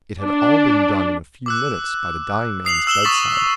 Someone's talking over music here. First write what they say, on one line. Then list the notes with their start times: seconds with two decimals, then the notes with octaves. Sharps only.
It had all been done in a few minutes by the dying man's bedside.
0.22 D4
1.46 D6 E6 F#6
2.65 D#6 C7 F7 F#7
2.87 E6 E7 F#7 G7
3.04 C#6 D#6 A6 B6 E7 F#7